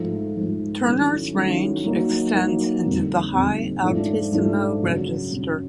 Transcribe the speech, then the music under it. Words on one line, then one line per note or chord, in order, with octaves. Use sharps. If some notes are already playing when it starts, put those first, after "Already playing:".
Turner's range extends into the high altissimo register.
Already playing: G#2 F3 A3
G#2 F3 A3
D#3 F#3 A3 C#4 E4
D#3 F#3 A3 C#4 E4
F#3 A#3 D#4
F#3 A#3 D#4
F2 D3 G3 C4 D#4
F2 D3 G3 C4 D#4
G#2 F3 A3 D4
G#2 F3 A3 D4
F#2 C#3 F#3
F#2 C#3 F#3